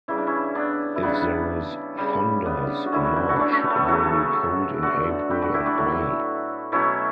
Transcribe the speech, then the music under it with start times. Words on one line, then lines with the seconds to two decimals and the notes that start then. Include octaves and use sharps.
If there is thunders in March, it will be cold in April and May.
0.08 C#3 E3 G3 E4
0.18 D4
0.27 C#4 E4
0.55 B3 D4
0.96 E4
1.03 C#3 G3 B3 D4
1.98 C#3 G3
2.46 B3 D4
2.86 F#4
2.92 D3 G3 C#4 E4
3.04 F#4 A4
3.16 G4 B4
3.29 F#4 A4
3.36 A3 C#4 D4
3.52 A3 C#4
3.64 B3
3.70 A3
3.76 B3
3.88 C#3 F#3 A3 F#4 A4
4.82 D3 A3 F#4 A4
5.30 G4 B4
5.42 F#4 A4
5.54 E4 G4
5.66 D4 F#4
5.77 A2 F#3 A3
6.72 B2 F#3 A3 C#4 E4